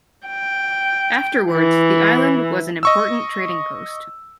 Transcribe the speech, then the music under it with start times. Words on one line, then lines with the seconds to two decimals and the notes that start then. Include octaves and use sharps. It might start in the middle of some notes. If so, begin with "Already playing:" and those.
Afterwards, the island was an important trading post.
0.28 G5
1.52 E3
2.83 D#5 C#6 E6